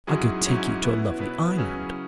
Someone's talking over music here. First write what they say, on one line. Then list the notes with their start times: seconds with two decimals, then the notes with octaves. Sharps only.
"I could take you to a lovely island."
0.07 G#2 F#3 C#4 E4 G#4
0.45 G#2 F#3 C#4 E4 G#4
0.83 B2 B3 E4 B4
1.20 B2 B3 E4 B4
1.57 C#3 F#3 C#4 E4 G#4